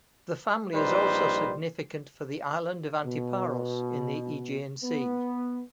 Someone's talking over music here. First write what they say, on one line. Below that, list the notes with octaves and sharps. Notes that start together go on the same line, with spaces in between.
The family is also significant for the island of Antiparos in the Aegean Sea.
A#1 G3 D#4 B4 C5
B2
B3